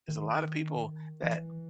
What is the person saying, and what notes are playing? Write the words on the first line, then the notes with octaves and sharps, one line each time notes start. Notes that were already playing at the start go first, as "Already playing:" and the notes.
There's a lotta people that
D#3
E3